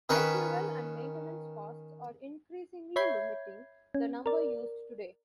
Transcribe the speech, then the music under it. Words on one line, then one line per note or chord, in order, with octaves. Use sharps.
High fuel and maintenance costs are increasingly limiting the number used today.
D#3 C#4 B4
C#5 E5 B5 G6 G#6 C7
C#4
A#4 D5